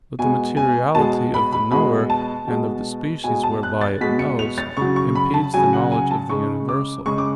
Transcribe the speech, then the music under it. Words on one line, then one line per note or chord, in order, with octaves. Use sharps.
But the materiality of the knower, and of the species whereby it knows, impedes the knowledge of the universal.
B2 G#3 G#5
G#5
B2 G#3 A5
B5
B5
B2 G#3 B5
A5
B2 G#3
B2 G#3 G#5
A5
F#6
A6
B2 G#3 B6
C#7
F7
A6
C#3 F#3 C#6
C#6
B5
A5
C#3 F#3 G#5
F#5
G#5
A5
C#3 G#3 C#6
D6
C#3 G#3 C#6
D6